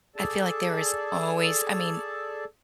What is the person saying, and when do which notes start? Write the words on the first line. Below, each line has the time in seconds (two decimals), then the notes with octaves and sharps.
I feel like there is always I mean,
0.16 G#4 A4 D5 A5